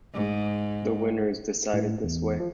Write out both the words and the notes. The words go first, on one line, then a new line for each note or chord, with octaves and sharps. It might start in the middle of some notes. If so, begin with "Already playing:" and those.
The winner is decided this way.
G#2
A2
E2
F3